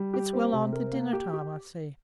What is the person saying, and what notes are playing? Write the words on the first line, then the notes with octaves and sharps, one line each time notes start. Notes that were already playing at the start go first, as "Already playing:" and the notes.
It's well on to dinner-time, I see.'
Already playing: G3
G4
C4
C3
A#4
A#3
G4
G4